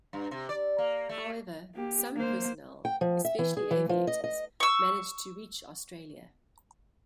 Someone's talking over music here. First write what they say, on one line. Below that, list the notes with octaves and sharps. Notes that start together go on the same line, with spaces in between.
However, some personnel, especially aviators, managed to reach Australia.
G2
C3
D5
A#3
A3
A#3 G4
A#3 C5
G5
F3
E5
E3
G#4
E3
F3
D#5
D#5
C#6 E6